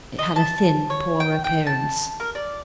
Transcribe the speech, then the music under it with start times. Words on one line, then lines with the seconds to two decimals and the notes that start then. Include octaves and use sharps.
It had a thin, poor appearance.
0.19 D#5
0.36 A5
0.90 C#5
1.20 G5
1.44 G5
1.67 A5
2.20 A#4
2.35 D5